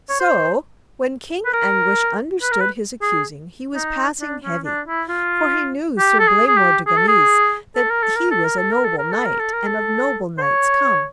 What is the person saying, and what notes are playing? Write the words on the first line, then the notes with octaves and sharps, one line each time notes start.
So when King Anguish understood his accusing he was passing heavy, for he knew Sir Blamore de Ganis that he was a noble knight, and of noble knights come.
C#5
C5
B4
A#4
B4
A#4
B4
G#4
D#4
D4
C#4
D4
E4
F4
G4
A4
G#4
G#4
G4
G#4
A4
G#4
A4
A#4
A4
A#4
A4
A#4
A4
A#4
A4
A#4
A4
A#4
A4
A#4
A4
C5
C#5